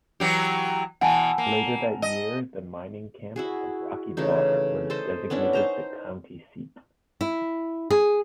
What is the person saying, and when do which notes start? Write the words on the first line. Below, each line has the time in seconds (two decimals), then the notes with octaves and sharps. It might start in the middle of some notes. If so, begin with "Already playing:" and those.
Later that year the mining camp of Rocky Bar was designated the county seat.
0.20 E3 F#3 G4
1.01 B2 E3 F#5 G#5 A5
1.38 A#3
2.02 D#5
3.36 E4 F#4 G#4
4.17 C#3 E3 A3 D#4
4.90 A4 C5 D#5
5.30 B3 C#4 D4 E4
5.53 D#4 C5 A#5
7.21 E4
7.90 G#4